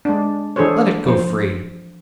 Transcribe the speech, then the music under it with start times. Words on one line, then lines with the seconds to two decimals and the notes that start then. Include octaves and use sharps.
Let it go free.'
0.05 G#3 D4
0.56 E3 D4 G#4 A4 C5 C#5
1.06 F3 C5